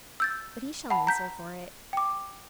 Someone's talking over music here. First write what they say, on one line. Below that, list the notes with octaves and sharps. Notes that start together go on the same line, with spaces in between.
'But he shall answer for it.
E6 G6 A6
F#5 A5 B5
A#5 G6 B6
G5 D6